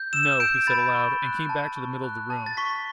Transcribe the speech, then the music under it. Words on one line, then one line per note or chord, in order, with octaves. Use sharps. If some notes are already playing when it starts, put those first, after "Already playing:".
"No," he said aloud, and came back to the middle of the room.
Already playing: G6
E6 E7
G6 D7
B5 A6
C#6
F#6
A5
C#6
F#6
A5
A6
C#6 B6